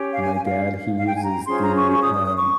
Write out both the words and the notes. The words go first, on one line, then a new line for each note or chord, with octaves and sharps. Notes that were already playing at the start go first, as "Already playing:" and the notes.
my dad, he uses the, um,
Already playing: C#4 G4 C#5
F5
G#5
G#5
F5
F5
G5
G#5
A#5
C#4 F4 G#4 C5 C6
A#5
C#6
C#6
D#6
D#6
D#6
C#6